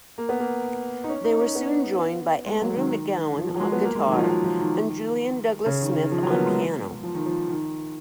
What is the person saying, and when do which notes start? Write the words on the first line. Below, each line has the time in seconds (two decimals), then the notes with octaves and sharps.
They were soon joined by Andrew McGowan on guitar and Julian Douglas-Smith on piano.
0.18 A#3
0.29 B3
0.40 A#3
1.04 D#4
1.09 C#4
1.24 D#4
1.40 C#4
1.55 B3
2.46 G#3
2.62 F#3
2.76 D#3
3.38 F3
3.49 F3
3.55 F#3
3.60 G#3
3.72 B3
3.84 A#3
3.95 G#3
4.06 D#3
4.12 F#3
4.18 F3
4.29 F#3
4.44 F3
4.59 D#3
5.66 C#3
5.82 D#3
5.96 D#3
6.11 F3
6.23 F#3
6.30 B3
6.35 A#3
6.46 G#3
7.03 F3
7.15 D#3
7.26 F3
7.49 D#3